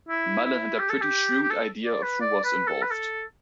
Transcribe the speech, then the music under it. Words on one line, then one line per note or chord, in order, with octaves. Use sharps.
Mallon had a pretty shrewd idea of who was involved.
E4
E4
G4
A4
G4
G4
A4
D5
B4
D5
B4
A4
B4
A4